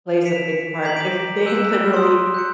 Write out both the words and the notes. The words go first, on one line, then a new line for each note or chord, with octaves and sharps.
plays a big part if they literally,
B6 C#7 D7 E7 F7
A#5 D6 G6 B6 F#7
D6 A#6 D7
E6 F#6 G6 C#7 D7 E7
C6 D#6
F#6 G6 C#7